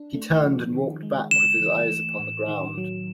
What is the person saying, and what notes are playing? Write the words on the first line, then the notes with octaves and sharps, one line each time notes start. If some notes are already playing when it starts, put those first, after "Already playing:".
He turned and walked back with his eyes upon the ground.
Already playing: D4
A3
F3
D#3
G#3
C#3 E7
E3
A3
A2
D#3
F#3